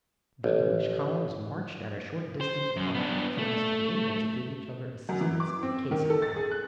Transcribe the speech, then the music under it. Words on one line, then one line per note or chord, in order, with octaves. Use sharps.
The English columns marched at a short distance apart so as to be able to give each other assistance in case of attack.
A1
C5
F#2
B3 D4
A3
F#2
E3
D6
C4
D#3
A4
A6
G#4
F#6